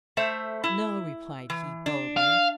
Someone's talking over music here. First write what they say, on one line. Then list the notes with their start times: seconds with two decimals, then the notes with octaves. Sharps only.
'No,' replied he, boldly.
0.17 A3 C5 E5
0.64 E4
1.50 E3
1.86 D4
2.17 F5